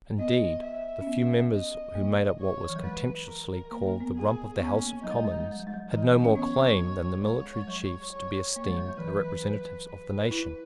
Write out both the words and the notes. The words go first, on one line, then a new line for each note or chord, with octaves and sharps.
Indeed the few members who made up what was contemptuously called the Rump of the House of Commons had no more claim than the military chiefs to be esteemed the representatives of the nation.
B3 D#5
E5
C#4
B3
D#5
A#3
C#5
E3
F#3
G#3 B4
A#4
A#3
A#3
B3
G#4
B3 C#4
A#3
F#3 D#4
G#3
F#3
G#3
F#3
G#3
F#3
G#3
F#3
G#3
F#3
E3 D#4
F#3
A#3
C#4
B3 C#5
G#3 C#5
G#3
F#3
C#5
A#3 C#5
G#3
F#3
F#3
E3 B4
F#3
F#3
B4
E4